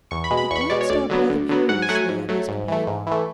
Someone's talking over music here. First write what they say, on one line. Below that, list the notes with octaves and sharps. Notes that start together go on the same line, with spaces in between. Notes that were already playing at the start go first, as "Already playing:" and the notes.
He glanced up rather curiously at his companion.
E2 C#6
B5
B2 G#3
B5
E2 B5 C#6
C#6
B2 G#3 D5
C#5
D2 D5
D3 F#3 B3
D2
D3 F#3 B3
G#2 F#5
G#5
F#3 A3 F#5
G#5
G#2
F#3 A3
G#2
E3 A3
G#2
E3 A3